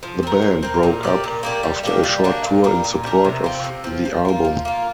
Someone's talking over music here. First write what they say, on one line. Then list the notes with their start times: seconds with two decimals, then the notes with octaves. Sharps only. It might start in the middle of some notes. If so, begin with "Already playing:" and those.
The band broke up after a short tour in support of the album.
0.03 F3
0.23 C4 A#4
0.42 F3
0.63 C4 A#4
0.83 A#2
1.03 A#3 G4 D5
1.24 A#2
1.43 A#3 G4 D5
1.63 G3
1.83 A#3 D4 G4
2.03 G3
2.24 A#3 D4 G4
2.44 A#2
2.64 G3 D4 A#4
2.84 A#2
3.04 G3 D4 A#4
3.24 C3
3.44 F3 C4
3.64 C3
3.84 F3 C4
4.05 F3
4.25 A#3 F4
4.45 F3
4.65 A#3 F4